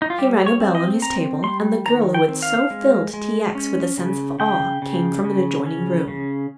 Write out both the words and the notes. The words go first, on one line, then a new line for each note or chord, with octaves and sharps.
He rang a bell on his table and the girl who had so filled T. X. with a sense of awe came from an adjoining room.
D#4
F4
G3 G4
C#5
C4
D#5
C4 A#5
G3 C6
D#3 A#5
G5
C4
F5
G#3
G#3
C#4
C#3
C#3 G5
C#3
C#3
C#4
C#3